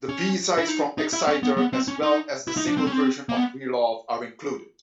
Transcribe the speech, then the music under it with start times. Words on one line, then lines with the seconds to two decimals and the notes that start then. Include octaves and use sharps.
The B-sides from "Exciter" as well as the single version of "Freelove" are included.
0.09 C#4
0.58 E4
0.68 D#4
0.98 D#4
1.13 E4
1.28 C#4
1.43 B3
1.58 B3
1.73 C4
1.88 C#4
2.03 D#4
2.48 E4
2.57 D#4
2.67 D4
2.77 C4
2.87 C#4
2.92 C4
3.29 A#3
3.37 B3